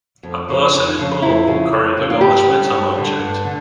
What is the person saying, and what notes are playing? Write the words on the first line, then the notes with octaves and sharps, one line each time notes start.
A person in purple carrying a large metal object.
F2
C#3 F3
F2
C#3 F3
F2 E4
C#3 F3
F2
C#3 F3
F4
G2 G4
D3 G3
G2
D3 G3
G2
D3